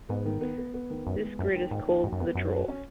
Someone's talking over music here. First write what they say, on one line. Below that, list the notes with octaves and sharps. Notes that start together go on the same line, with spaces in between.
This grid is called the "Draw".
G#2 B3
D#3
B3
B3
B3
D#3
F#2 B3
G#3
F#2 F3
D#2
D#2 G#2
D#2
G#2 F#4
F#2
F2 B3
F#2 F#4
F#4
C#4